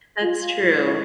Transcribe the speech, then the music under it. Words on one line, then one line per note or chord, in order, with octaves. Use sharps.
That's true.
F4
A2 F3 G#3 E4